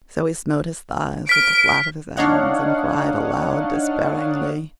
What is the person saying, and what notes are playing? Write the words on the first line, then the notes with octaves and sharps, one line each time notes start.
So he smote his thighs with the flat of his hands and cried aloud despairingly.
F6 B6 D7
D4 D#4 C#5 D#5 F5 F#5